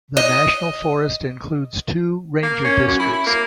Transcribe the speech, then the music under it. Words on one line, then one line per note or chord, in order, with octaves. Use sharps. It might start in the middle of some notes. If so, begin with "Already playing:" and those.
The national forest includes two ranger districts.
D#5
A#3
C#4
F#2
E4
E4
A#3